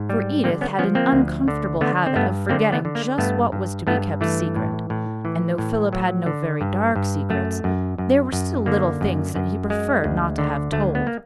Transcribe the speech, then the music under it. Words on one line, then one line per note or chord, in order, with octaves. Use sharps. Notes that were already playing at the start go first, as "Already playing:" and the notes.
For Edith had an uncomfortable habit of forgetting just what was to be kept secret, and though Philip had no very dark secrets, there were still little things that he preferred not to have told.
Already playing: G#2
G3
D3 A#3 C4
B3 C#4
F3 B3 C#4
A#3 C4
D2
D3
D3 A3 B3
C4
G2 A3 B3
D3 A#3 C4
A3 B3
D3
A#3
G2 A3 B3
G2
G2 A3 B3
E3 A3
A2
A2
E3
A2
F#3
D3
G2
G2
F#2 A3
F#2
F#2
F#2
D3 A#3
F#2
F#2
G#3
D2
D3
D2 A3
B3
A#3